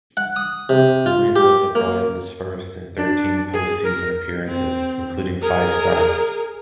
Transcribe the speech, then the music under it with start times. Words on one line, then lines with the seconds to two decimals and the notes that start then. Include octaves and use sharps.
The win was Arroyo's first in thirteen postseason appearances, including five starts.
0.17 F#5
0.36 D#6
0.69 C3
1.06 F4
1.36 G4
1.75 A#3
2.97 D4
3.53 G#4
3.84 A#4
4.48 C4
5.42 G#4 A#4